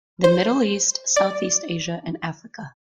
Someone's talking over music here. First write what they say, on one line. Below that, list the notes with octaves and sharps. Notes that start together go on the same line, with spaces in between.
The Middle East, Southeast Asia and Africa.
C5
D5